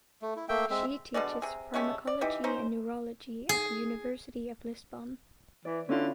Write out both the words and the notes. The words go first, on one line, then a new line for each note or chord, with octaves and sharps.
She teaches pharmacology and neurology at the University of Lisbon.
A3
E4
A3 A#3 E5 G5
G#3 C4 E5
B2 D3 G#3 D5
C3 G#4
G#3 A3 C#4 G4
D5
E3 D#4 G4
C#4 D#4 C5
G#4
E3 D5
D3 C#4 E4 F4